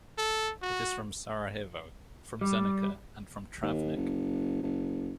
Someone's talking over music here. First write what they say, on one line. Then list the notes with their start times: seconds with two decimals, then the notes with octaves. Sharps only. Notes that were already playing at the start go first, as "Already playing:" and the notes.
It is from Sarajevo, from Zenica, and from Travnik.
0.18 A4
0.62 F#4
2.41 G3
3.62 D#2
3.96 F#1
4.63 F#1